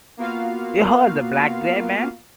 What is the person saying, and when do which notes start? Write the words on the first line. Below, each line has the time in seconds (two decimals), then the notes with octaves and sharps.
'Behold the black gray man!'.
0.17 A#3 B3 F4 F#4 F5